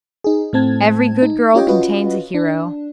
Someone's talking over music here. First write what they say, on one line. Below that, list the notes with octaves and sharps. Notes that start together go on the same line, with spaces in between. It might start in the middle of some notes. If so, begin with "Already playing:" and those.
Every good girl contains a hero.
D#4 G#4
A2 A3 C4 A5 G#6
D#4
C#4 F4 G4 C#5 D#5 G5
C#4 F4 F#4 B4 D#5
D4